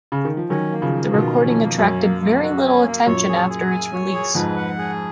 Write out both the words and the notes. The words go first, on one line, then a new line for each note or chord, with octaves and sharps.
The recording attracted very little attention after its release.
C#3
D#3
F3
D#3 F#3 C#4
A#3
C#3 F3
A#3
B2 D#3 F4
C#4
F2
A#3
F#2 C#4
A#3
A#3
F#4
C#4
A#3
F#2 A#2 C#5
G#4
G#4
G#5
C#5
G#4
F2 G#2 B4
F#5
G#4